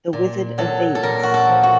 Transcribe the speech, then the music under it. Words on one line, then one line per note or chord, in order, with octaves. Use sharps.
"The Wizard of Venus".
A#2
F#3 A4
A4
A#2 A#4
F#4
A4
F3
F#4